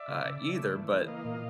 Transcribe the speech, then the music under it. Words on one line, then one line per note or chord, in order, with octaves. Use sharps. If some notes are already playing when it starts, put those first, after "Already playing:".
uh, either, but
Already playing: D5 E5
C#3
C#3
C#3
A3
E3
E3
A#3 D#5 F5
A#2